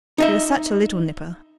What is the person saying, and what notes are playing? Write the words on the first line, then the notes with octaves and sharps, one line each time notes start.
You are such a little nipper.
D#4 D#5 E5